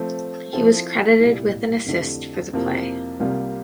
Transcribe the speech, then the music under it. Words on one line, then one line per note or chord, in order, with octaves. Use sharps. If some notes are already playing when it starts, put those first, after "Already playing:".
He was credited with an assist for the play.
Already playing: F3 A3 C4
F3 C4 E4 A4
C2 A#2 G3 A#3 E4
F2 D3 A3 E4 G4
F2 C3 F3 A#3 E4
C2 C3 G3 A#3 F4